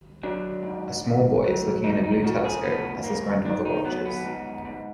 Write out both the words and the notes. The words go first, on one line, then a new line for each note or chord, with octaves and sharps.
A small boy is looking in a blue telescope as his grandmother watches.
F#3 D4
G#2
G#2
F#3
D3 D#4
D#4
F3 F#4
G#4
D2 B3
D2 A#3
D#3 D4
D#4
F#3 B3
B3
G#2
G#2